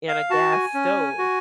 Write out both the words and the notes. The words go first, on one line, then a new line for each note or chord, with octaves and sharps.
and a gas stove,
F5
F#4 A5
G#5
C#4
F#4